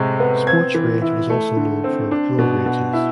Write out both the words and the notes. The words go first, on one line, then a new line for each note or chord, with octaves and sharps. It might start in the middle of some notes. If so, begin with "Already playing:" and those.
Sports Rage was also known for "Road Rages".
Already playing: A2 C3 G#3
B3
C4 G#6
E3
E4
A3
D3
C4
D4
B2
B2
E4